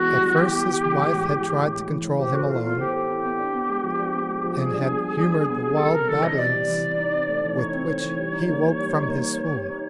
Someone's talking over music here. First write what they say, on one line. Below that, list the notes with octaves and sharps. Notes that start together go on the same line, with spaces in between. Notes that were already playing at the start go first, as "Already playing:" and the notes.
At first his wife had tried to control him alone, and had humoured the wild babblings with which he woke from his swoon.
Already playing: E3 G#3 B3 F#4
G3
E3
E3 G4
B3
G3
E3
A2
G#3
E3
A2
A2
G#3
E3
A2
G4 C5
F#4 A4
E4 F4
B3 F4
G4 C5
A4
E4
B3
D4
B3
G#3
F3
D4
B3
G#3
F3
G3 G#4
D4
B3
G3
G3
D4
B3
G3
C3 A4
G3 A#4
E3 A4
C3 D#5
C3 D5
G3
E3
C3
D#4
C4
A3
E3
D#4 C#5
C4
A3
E3
G3
D#4
A#3
G3
G3
D#4
A#3
G3
B4
G4
D#4